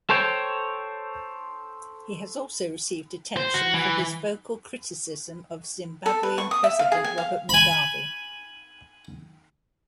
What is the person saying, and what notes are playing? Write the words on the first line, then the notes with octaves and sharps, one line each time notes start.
He has also received attention for his vocal criticism of Zimbabwean president Robert Mugabe.
A4 C5 C#5 G5
C5
F#4
E3
A4
B4
C#6
D#6
E5
F5
G#4
G#5
F5
G#5 B5